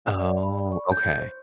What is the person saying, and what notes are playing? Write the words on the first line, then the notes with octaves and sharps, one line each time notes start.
Oh, okay.
D5
D5
B5
D5
C#6
G6
C5